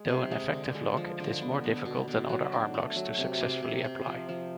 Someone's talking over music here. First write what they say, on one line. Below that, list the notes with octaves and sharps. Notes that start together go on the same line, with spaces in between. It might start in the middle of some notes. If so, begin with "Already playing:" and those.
Though an effective lock, it is more difficult than other armlocks to successfully apply.
Already playing: G#3
C3
G#3
D3
G#3
F3
D3
B3
B3
B2
B2
F#3
D4
A3
F#3
C3
C3
C3
C3
F3
F3